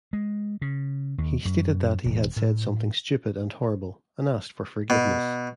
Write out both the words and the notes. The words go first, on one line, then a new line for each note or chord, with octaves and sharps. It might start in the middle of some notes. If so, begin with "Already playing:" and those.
He stated that he had said something stupid and horrible and asked for forgiveness.
G#3
C#3
D#2
F#2
E1
A2
B2